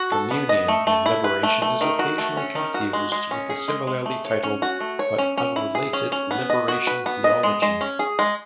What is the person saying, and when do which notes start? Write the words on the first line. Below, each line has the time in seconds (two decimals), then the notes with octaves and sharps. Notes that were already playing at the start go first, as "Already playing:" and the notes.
Communion and Liberation is occasionally confused with the similarly titled, but unrelated liberation theology.
Already playing: F#4
0.12 A4
0.31 B3
0.49 D#5
0.68 A3
0.87 A3
1.06 E4
1.24 B4
1.43 A3
1.62 A3
1.81 D#3
1.99 F#4
2.18 A3
2.37 C#4
2.55 D#3
2.74 F#4
2.93 G#3
3.12 G#3
3.31 C#4
3.50 G#4
3.68 G#3
3.87 G#3
4.06 A3
4.25 C#5
4.43 C#4
4.62 F#4
4.80 A3
4.99 C#5
5.18 C#4
5.37 C#4
5.56 E4
5.75 G#4
5.93 C#4
6.12 C#4
6.31 B3
6.50 D#5
6.68 F#4
6.87 B4
7.06 B3
7.24 D#5
7.43 G#3
7.62 G#3
7.81 C#4
7.99 G#4
8.19 G#3